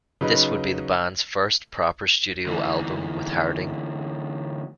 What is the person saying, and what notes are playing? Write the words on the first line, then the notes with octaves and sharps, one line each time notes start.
This would be the band's first proper studio album with Harding.
C#3 F#3 D#4 B4
D2 E3